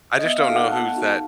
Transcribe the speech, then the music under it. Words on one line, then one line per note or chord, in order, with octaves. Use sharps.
I just don't know who's that,
D#5
B3 E5
F5
D#4 F#4 A4
F#5
B3 A5
D#4 F#4 A4